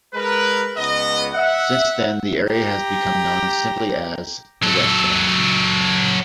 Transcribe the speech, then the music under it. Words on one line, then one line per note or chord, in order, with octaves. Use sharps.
Since then the area has become known simply as "The West End".
G#3 A#4 B4
C#2 B3 D#5
E5 F#5
G4 A#5
F#3 A4